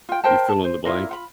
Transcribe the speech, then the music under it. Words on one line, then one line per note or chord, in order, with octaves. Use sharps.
you fill in the blank,
F4 G5
A#4 C5 G5 A5
A5
C5
E4 F4 A#4 D5
F4 F#5 B5